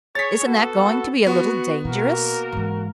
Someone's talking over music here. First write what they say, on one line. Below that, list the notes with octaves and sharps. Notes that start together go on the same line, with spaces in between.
"Isn't that going to be a little dangerous?"
G#4 C#5 A6 B6
B3 F#4 A4
B3 F#4
B2 A#3 F#4 A#4
G#2 E3